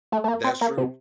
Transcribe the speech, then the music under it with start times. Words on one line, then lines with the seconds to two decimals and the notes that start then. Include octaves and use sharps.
That's true.
0.12 A3
0.24 A3
0.28 A#3
0.44 C4
0.61 A#3
0.78 C3